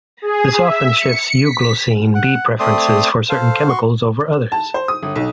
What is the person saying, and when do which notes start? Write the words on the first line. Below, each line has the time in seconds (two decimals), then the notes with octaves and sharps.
This often shifts euglossine bee preferences for certain chemicals over others.
0.22 G#4
0.62 E5
0.99 C#7
1.44 B6
2.15 F#5
2.59 A3 C4 D5 C6 D#6
3.30 A4 C5 F5
3.68 F#4 C6 C#6
4.52 A5
4.74 C5
4.88 D#6
5.02 G1
5.16 B1